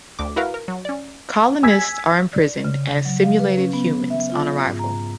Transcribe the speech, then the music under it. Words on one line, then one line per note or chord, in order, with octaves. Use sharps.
Colonists are imprisoned as "simulated humans" on arrival.
D2 D6
E4 F#4 A#4 B4 F5
A#4
F#3
C#4 D5
G#5 E6 G#6 B6
D5
C#3
F#3
F5
B4
C#4
B3
E5
F4
G#2
A#5